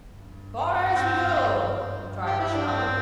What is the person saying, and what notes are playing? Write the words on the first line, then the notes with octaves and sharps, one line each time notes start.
"Far as we go!" the driver shouted.
G2
C4
G2
G4
E4
D4
C4